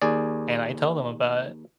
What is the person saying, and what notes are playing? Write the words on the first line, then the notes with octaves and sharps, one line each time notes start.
and I tell them about it
D#2 G#4 D5